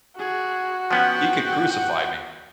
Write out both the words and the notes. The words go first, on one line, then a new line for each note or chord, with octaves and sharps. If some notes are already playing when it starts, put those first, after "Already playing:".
he could crucify me.
F#4 G#4
F3 B3 C#4 F#5 G5